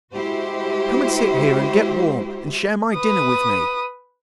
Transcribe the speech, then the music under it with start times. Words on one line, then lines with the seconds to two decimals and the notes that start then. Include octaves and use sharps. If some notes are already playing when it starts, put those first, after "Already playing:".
Come and sit here and get warm, and share my dinner with me.'
0.14 G#3 E4 F#4 G4 C5
2.95 B4 D#6